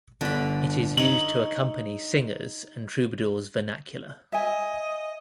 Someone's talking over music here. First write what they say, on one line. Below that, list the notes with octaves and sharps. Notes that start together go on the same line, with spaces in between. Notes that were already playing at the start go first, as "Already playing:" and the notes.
It is used to accompany singers' and troubadours' vernacular.
G1 D3 B5
D#4 C#5 F#7
D#5 E5 G#5